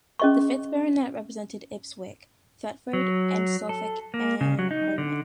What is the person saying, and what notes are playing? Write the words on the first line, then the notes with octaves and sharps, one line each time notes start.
The fifth Baronet represented Ipswich, Thetford and Suffolk in Parliament.
C#4 G#4 D#5 C6 C#6
F#3
A4
A#3
C#3
F#3
D#4
D3